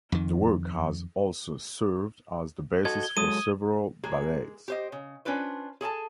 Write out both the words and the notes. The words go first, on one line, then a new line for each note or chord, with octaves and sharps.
The work has also served as the basis for several ballets.
F2 D#3
F#4 A4 D#5 G#6
G7
F#3 G#3 A4 D#6 D#7
G#3 A#3 G#4
G4 C5 D#5
C#3
C#4 D4 F4 B4 C5
G#4 A4 G#5 A5